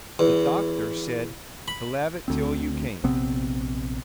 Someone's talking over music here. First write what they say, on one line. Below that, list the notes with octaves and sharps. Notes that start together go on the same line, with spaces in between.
"The docther said to lave it till you came."
E2
B5
D2 C4
A#1 C3 B3 C4